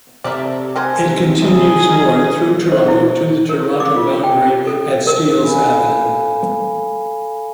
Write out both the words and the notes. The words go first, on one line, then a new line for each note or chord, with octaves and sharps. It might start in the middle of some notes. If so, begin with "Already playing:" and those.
It continues north through Toronto to the Toronto boundary at Steeles Avenue.
C3 A4 A#4 D5 E5 A5
C4 F#4 A4 A#4 C5 G#5
E3 G#4 A4
D#4
C5
E4
A#4
D6
F4
G5
A4
A#4
A4 F5 G#5 B5